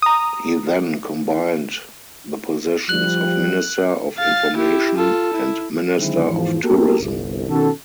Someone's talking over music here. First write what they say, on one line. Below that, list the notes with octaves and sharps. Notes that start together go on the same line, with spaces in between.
He then combined the positions of Minister of Information and Minister of Tourism.
A#5 D#6
F3 G3 F#6 F#7
F5 A6
E4 G4
F4 A4
E4
D3 D#3 F#3 G#3 C4 E4
E2 G#2 E3 F3
A#3 B3 F#4 G4 A4 A#4
G1 C2
B2 D#3 C#4 F#4 A4